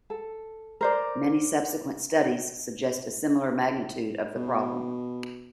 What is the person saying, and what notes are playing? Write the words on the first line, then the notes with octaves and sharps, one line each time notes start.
Many subsequent studies suggest a similar magnitude of the problem.
A4
A#4 C5 D5
B2